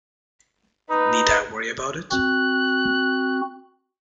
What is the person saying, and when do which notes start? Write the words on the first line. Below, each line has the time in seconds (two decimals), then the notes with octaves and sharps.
Need I worry about it?
0.90 D#4 B4
2.11 C4 F#4 F#6